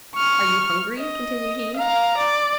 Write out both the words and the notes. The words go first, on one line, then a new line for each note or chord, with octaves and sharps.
"Are you hungry?" continued he.
C#6 F6
D#5
F5 A#5
D5